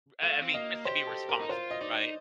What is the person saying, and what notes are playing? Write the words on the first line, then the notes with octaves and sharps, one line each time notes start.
b I I mean, just to be responsible, right?
A3 F5
C4
A#3 D#5
G4 C5
A4
A#4
D#4
F4 C5
D#5
D#4 D5